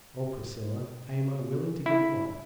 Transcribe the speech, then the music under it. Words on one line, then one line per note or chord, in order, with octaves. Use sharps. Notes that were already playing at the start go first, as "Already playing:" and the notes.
Oh, Priscilla, I am unwilling to give you up!
E4